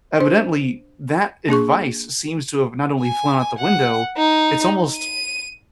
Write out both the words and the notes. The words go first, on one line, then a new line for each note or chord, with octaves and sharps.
Evidently, that advice seems to have not only flown out the window, it's almost
D4 C5
A#3 D4 G#4 C#6
G#5
F#5
D#4
D#7